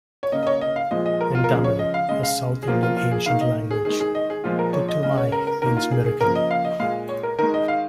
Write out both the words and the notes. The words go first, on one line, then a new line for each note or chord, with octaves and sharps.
In Tamil, a South Indian ancient language, "Puthumai" means Miracle.
C#5
C#3 A#3 D#5
D#5
C#5
D#5
F5
A#2 F3 G#3 D#5
D#5
A#4
F4
A#4
C#3 F3 G#3 G#4
C#5
D#5
F5
C#3 G#3 D#5
F5
G#4
A#2 F3 A#3 F4
F4
F4
G#4
D#3 A#3 F5
D#5
G#4
D#3 G#3 G#4
G#4
D#5
G#4
A#2 F3 G#3 F4
A#4
C#5
D#5
C#3 G#3 D#5
C#5
A#4
A#4
D#3 A#3 A#4
F4
G#4
G#4
C#3 F3 A#3 A#4
D#5
F5
D#5
A#2 G#3 F5
C#5
A#4
D#3 G#3 A#4
D#5
F5